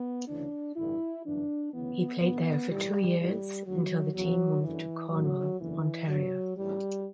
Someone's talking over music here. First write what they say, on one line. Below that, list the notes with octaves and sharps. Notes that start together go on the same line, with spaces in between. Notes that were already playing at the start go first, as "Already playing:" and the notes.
He played there for two years until the team moved to Cornwall, Ontario.
Already playing: B3
D2 C#3 E3 D4
A1 G2 D3 E4
G1 F#2 E3 D4
D2 C#3 E3 B3
A1 G2 D3 B3
B1 A2 E3 G3
A1 A2 E3 G3
D2 C#3 E3 F#3
E2 C#3 E3 F#3
G1 F#2 D3 E3
A1 A2 E3 F#3
F#1 E2 D3 E3
G1 G2 E3 F#3
A1 A2 E3 G3